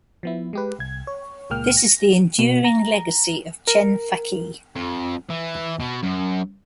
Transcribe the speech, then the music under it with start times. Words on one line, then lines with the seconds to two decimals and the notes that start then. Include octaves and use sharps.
This is the enduring legacy of Chen Fake.
0.23 F3 B3 E4
0.53 G#3 G4 B4
0.79 C2 G#6
1.07 C#5
1.50 C#2 A#2 G#3 A#3 G5 F6
1.77 A#6
2.39 B2
2.64 A#5
3.67 A#4
4.76 F2
5.30 E3
5.80 B2
6.03 F#2